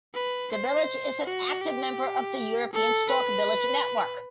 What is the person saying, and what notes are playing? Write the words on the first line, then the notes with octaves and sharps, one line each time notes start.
The village is an active member of the European Stork-Village Network.
B4
C5
F#4
G4
A4
B4